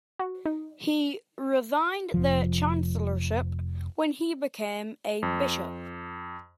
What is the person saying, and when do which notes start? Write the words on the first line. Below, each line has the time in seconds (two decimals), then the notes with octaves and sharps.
He resigned the chancellorship when he became a bishop.
0.19 F#4
0.45 D#4
2.14 F1 F3
5.23 F2